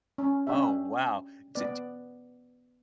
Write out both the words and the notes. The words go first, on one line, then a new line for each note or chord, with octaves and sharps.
Oh, wow, di di
C#4
C#4 D4 G4 E5
B3 D5